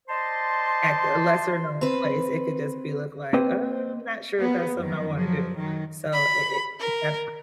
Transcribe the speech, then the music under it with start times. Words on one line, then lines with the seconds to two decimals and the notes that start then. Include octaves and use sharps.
at a lesser known place, it could just be look like, "Uh, I'm not sure if that's something I wanna do," so i it it's that.
0.08 C5 D5 D#5 A5 C6
1.81 C4 B4
3.33 A#3 C4 B4 D#5 G5
4.39 A#3 B3 G#4
4.78 F#2 D#3 F3
5.15 F3 F#3
5.56 D#3 F#3
6.13 B5
6.79 A#4